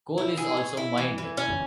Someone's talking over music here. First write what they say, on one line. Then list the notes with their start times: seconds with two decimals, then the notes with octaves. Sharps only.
Coal is also mined.
0.18 E4
0.37 G#4
0.57 C#5
0.77 E4
0.98 E3
1.18 E3
1.37 C#4